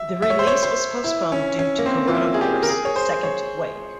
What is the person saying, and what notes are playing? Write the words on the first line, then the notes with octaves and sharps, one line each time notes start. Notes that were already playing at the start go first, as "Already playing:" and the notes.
The release was postponed due to Coronavirus second wave.
Already playing: E5
E5
C#5
C5
C#5
C5
E4
C#4
C#4
A#3
C4
F4
E4
G#4
G4
A#4
G#4
C#5
C5
C#5